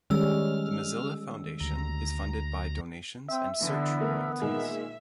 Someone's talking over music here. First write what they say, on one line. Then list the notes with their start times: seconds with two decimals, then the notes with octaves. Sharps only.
The Mozilla Foundation is funded by donations and "search royalties".
0.10 D#3 G3 G#3 C#4 E6 F6
1.60 D2 A#5
3.28 C4 E5
3.60 D3 E3 B3
4.01 A3 A#4
4.41 A#2 D#3 G#3 E5